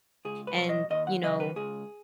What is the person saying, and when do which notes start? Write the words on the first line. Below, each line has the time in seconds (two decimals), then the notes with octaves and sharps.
and, you know
0.25 C#2 G#4
0.47 B4
0.57 B2 F#3
0.69 D#5
0.90 D#2 D#5
1.07 F#5
1.23 C#3 F#3 D#5
1.40 B4
1.56 C#2 G#4